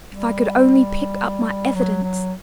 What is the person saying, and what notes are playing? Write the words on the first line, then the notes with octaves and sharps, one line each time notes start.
If I could only pick up my evidence!
G3
F#3
F#3